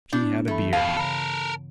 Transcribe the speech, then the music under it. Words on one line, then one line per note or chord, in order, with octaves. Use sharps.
She had a beard.
B3 D4 E4 G6
G2 E3 A3 B5
F2 B2 F5
C#3 A4 A#4 B5